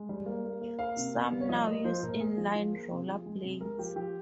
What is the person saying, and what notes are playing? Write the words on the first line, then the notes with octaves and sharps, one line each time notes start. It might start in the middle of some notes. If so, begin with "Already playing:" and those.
Some now use in-line roller-blades.
Already playing: G#3
G3
A#3
A#3
A#3
A#3 F5
C3
C3
G3
C#5
F3 D#5
A#3 D#5
F3 C5
A#2 A#4
A#3 G#4
F3
F3
A#3
C3
F3
G#3
C3
G#3 A#4
F3 G4
F3 G4